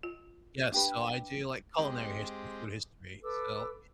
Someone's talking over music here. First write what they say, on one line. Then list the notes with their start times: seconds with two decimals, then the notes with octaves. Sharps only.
Yeah, so I do, like, culinary history, food history. So, it
0.03 F4
0.72 D4 G4 B4
1.78 G#3 C4 G4
3.23 A4 B4 D6 E6